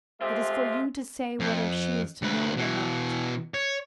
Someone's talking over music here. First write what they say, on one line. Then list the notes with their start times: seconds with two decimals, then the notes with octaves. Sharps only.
It is for you to say whether she is to know or not.
0.20 G#3 A3 C4 F4 G4 E5
1.40 F2
2.22 D2 B4
2.57 B2 E3
3.54 C#5